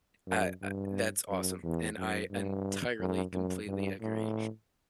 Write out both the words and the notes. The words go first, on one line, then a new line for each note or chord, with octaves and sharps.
I I that's awesome, and I entirely, completely agree,
F#2
G2
F#2
E2
F#2
G2
F#2
F#2
G2
A2